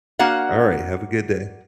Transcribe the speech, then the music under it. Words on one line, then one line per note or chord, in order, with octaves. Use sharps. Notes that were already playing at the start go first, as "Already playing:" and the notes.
Alright, have a good day.
A#3 D4 F#4 F5 F#5